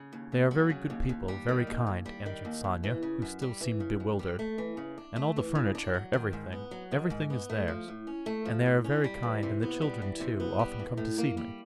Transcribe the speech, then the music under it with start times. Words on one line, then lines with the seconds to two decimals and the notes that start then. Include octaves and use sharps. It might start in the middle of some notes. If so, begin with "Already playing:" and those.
"They are very good people, very kind," answered Sonia, who still seemed bewildered, "and all the furniture, everything... everything is theirs. And they are very kind and the children, too, often come to see me."
Already playing: C#3
0.13 D#2
0.32 D#2
0.51 F#3
0.70 C#3
0.90 D#2
1.09 D#2
1.28 G3
1.49 D#3
1.67 D#2
1.87 D#2
2.06 G3
2.26 D#3
2.45 D#2
2.64 D#2
2.84 E3
3.03 C#3
3.22 F#2
3.42 G3
3.61 E3
3.80 C#3
4.00 F#2
4.19 G3
4.39 A3
4.58 E3
4.77 C#3
4.98 D4
5.16 A3
5.36 E3
5.55 C#3
5.75 D4
5.94 F#3
6.13 D#3
6.33 G#2
6.52 B3
6.71 F#3
6.92 D#3
7.10 G#2
7.30 B3
7.50 A3
7.68 F3
7.88 A2
8.07 C#4
8.26 A3
8.45 F3
8.66 A2
8.84 C#4
9.04 G3
9.23 E3
9.43 C3
9.63 B3
9.82 G3
10.02 E3
10.20 C3
10.40 B3
10.59 G3
10.79 E3
10.97 A2
11.18 A#3
11.37 G3